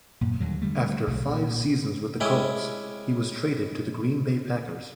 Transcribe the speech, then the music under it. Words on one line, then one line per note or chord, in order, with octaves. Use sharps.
After five seasons with the Colts, he was traded to the Green Bay Packers.
F#2 A#2
D#2 D3 F#3 G3
D3 G3 A3
B1
A#2
G#3 C#4 E4 G4